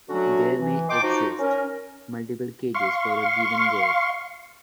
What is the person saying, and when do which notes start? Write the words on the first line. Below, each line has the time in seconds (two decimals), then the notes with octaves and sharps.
There may exist multiple cages for a given girth.
0.10 D3 F#3 A3 C#4 F#4
0.57 E3
0.89 D#5 G5 A5 C6 D6
1.03 F3 D#4 F4 F#4
1.39 C#4 A#4
2.74 F5 C6 C#6